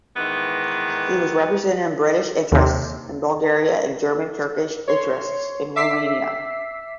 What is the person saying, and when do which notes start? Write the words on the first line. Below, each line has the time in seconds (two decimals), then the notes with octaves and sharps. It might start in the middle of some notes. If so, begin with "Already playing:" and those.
He was representing British interests in Bulgaria and German and Turkish interests in Romania.
0.16 G#2 D#3 E3 B3
2.52 D#2 C3
4.88 C#5 C6
5.76 E5 D6 E6 B6 C7